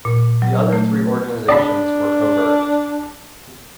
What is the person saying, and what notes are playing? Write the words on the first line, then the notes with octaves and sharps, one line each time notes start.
The other three organisations were covert.
A#2
F#3
A3
D4 D5 A5 B5